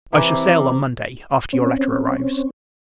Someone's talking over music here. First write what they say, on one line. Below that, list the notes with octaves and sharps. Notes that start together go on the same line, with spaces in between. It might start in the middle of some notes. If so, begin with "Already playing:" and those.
I shall sail, on Monday, after your letter arrives.
C3 E3 G3 C4 A#5 D6
C4 C#4